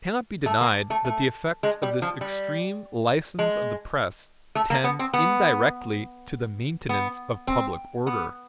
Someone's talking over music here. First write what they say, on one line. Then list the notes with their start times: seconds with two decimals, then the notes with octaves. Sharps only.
It cannot be denied that the effects of this extreme license of the press tend indirectly to the maintenance of public order.
0.46 A3
0.61 A#3
0.90 A3
1.05 A3
1.63 G#3
1.82 G3
2.02 F3
2.21 G3
3.39 G#3
4.55 A3
4.70 A#3
4.84 B3
4.99 C4
5.14 B3
6.89 B3
7.47 C4
8.07 B3